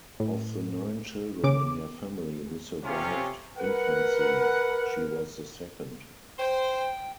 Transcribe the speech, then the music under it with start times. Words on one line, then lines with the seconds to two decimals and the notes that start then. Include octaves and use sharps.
Of the nine children in her family who survived infancy, she was the second.
0.20 A2
1.44 C#3 D6
2.84 C3 C#4 F4
3.57 A#4 B4 F#5
6.39 C5 G5